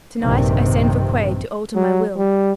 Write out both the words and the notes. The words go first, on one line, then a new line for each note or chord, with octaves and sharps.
To-night I send for Quaid to alter my will.
A#1 G2 C3 D#3 C4
F#3
G3